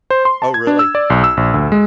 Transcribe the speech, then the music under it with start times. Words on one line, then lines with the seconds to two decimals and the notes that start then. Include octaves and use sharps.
Oh, really?
0.10 C5
0.25 C6
0.42 A5
0.54 G#6
0.67 D4
0.79 E6
0.95 D5
1.10 B1
1.24 E6
1.37 A#1
1.54 D2
1.72 G#3